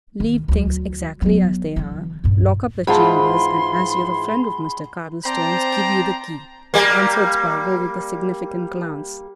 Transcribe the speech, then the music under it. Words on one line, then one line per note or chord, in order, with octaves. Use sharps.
"Leave things exactly as they are, lock up the chambers, and as you're a friend of Mr. Cardlestone's give you the key," answered Spargo, with a significant glance.
D#3
D2 F#3
F#3 B3
D3 E3
G2 A#2
G#2 E3 F4 G#4 F#5 A5 B5 C6
C4 C5 D5 G5 A5 A#5
G3 A#3